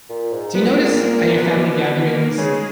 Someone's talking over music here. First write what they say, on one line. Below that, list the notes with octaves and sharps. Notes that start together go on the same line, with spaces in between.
do you notice at your family gatherings,
A#2
G#2
A#2 B3
A#3
G#3
A#3
B3
A#2
B2 A#3
B3
A#3
C#3 G#3